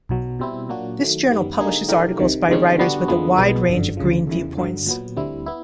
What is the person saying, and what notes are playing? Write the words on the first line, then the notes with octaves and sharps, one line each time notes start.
This journal publishes articles by writers with a wide range of Green viewpoints.
B1 B2 F#3
B2 G3 C4 E4
A#2 F#3 A#3 D4 F#4
D#3 F#3 A3
F#2 D#3 G3 B3
D3 G3 A#3 D#4 G#4
E3 A3 D4 G4 A#4
C2 C3 D#3
C3 D#3 G#3 C#4
D3 G3 B3 D4 F#4
F2 D3 F3 G#3 B3
B1 B2 G#3 B3
G1 F#2 D3
D2 C#3 F3
E2 C#3 E3
G2 D3 F#3
A#2 F#3 B3
D2 D3 G3 C4 E4
B3 E4